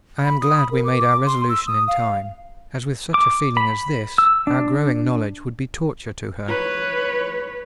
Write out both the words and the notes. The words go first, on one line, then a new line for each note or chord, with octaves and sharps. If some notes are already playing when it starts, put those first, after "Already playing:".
I am glad we made our resolution in time, as with such a feeling as this, our growing knowledge would be torture to her.
B5
D#6
B5
A#4
D6
D6
C6
E6
D#6
F5
D6
B5
E6
D4
B4 C#5